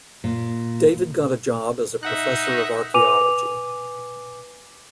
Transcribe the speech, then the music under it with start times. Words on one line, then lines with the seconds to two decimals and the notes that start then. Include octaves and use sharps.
David got a job as a professor of archaeology.
0.24 A#2
2.03 D#4 E5 F#5 F#6
2.94 B4 G#5 D6 D#7 F7